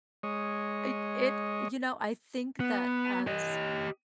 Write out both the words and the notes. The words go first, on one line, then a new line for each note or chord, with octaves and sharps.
It it you know, I think that as
G#3 C#5 D#5
B3
G4 D#5